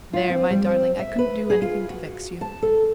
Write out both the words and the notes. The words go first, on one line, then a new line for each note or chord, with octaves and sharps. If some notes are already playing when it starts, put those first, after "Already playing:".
There, my darling, I couldn't do anything to vex you.
F4
C4
G3
C4
E5
B4
G#4
F4
F#4
A5
A4